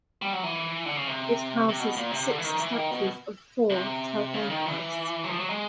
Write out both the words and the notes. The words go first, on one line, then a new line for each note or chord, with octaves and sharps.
It houses six statues of four tirthankaras.
G3
F#3
E3
D3
C#3
C3
C3
B2
A#2
C3
D3
E3
D#3
E3
D#3
B2
C3
C#3
D#3
E3
F#3
F3
F#3
G#3